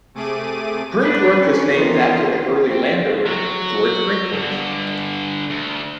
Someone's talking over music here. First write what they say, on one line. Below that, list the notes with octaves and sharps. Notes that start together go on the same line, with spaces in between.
Brinkworth is named after the early landowner, George Brinkworth.
C3 A3 G#4 D6 D#7
B3 D4 B4
C4 C#4
D#3 E3 B3 F4 C5
C4
F#3
G2 D3
D2